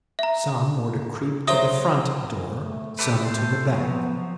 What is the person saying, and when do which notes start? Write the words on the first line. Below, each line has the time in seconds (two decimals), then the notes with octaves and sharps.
Some were to creep to the front door, some to the back.
0.19 E5 A#5
1.47 F#3 C5 E5 A#5 D#6
2.58 A3
2.99 G4 A4 B4
3.23 A4 C5
3.67 F3 F#3 B3